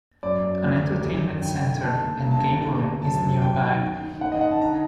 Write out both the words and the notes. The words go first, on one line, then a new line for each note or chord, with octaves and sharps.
An entertainment center-and game room is nearby.
F#2 D5
F#2
D2
D3
F#2
F#2
D3 G5
D3
D#2 A5
D#2
G2 A#5
A5
D3 A#5
A5
D3 A#5
D2
F#2 A5
F#2
F#2 G5
D#3
D#3
D#3
D#3 F#5
D#5
D#3 F#5
A5
D3 A#5